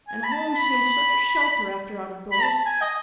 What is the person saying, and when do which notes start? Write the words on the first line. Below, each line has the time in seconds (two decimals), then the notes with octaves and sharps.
And home seems such a shelter after out of doors!
0.08 G#5
0.23 B5
0.32 A5
0.55 B5
2.31 B5
2.42 A5
2.66 G#5
2.81 D#5